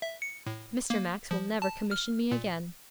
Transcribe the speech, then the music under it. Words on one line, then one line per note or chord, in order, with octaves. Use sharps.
'Mr. Max will never commission me again.'
E5
C#7
A2
A#3
F3
A5
F6
A#2